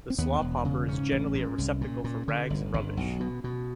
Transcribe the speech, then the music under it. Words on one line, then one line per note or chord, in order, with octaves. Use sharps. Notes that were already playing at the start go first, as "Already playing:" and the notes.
The slop-hopper is generally a receptacle for rags and rubbish.
C4
D#2 B3
E1
C#3
G#2 C#4
A1
G#2
C2
A#2
A#2
D3
G1
G1
B1
B2
B2